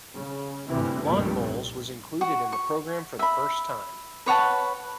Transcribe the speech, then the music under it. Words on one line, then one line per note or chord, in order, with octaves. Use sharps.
Lawn bowls was included in the program for the first time.
C#3
D2 G2 C3 E3
F1 C2 G2 A#2 G3
F#4
C#6
E5 B5
B4 C#5 F#5 A5